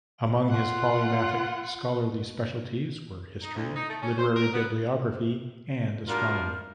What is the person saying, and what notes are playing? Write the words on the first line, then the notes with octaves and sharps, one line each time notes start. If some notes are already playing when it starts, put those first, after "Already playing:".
Among his polymathic scholarly specialties were history, literary bibliography, and astronomy.
F4 F#5
D#4
D2
D#4
A3
C#4
C5
A#4
B3
G3 D4 F4 F#4 A#4